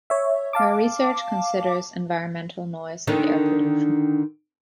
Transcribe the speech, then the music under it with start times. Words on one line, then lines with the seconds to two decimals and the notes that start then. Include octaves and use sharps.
Her research considers environmental noise and air pollution.
0.10 C#5 E5
0.53 F5 A5 D6
3.07 D3 D#3 D4